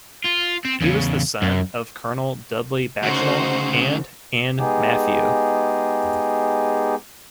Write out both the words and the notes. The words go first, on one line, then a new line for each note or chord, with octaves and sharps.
He was the son of Colonel Dudley Bagenal and Ann Matthew.
F4
C4
E2 C#3
F#2
D2 C#3 D#4 F#4 C5
G#3 B3 D#4 G4 G#4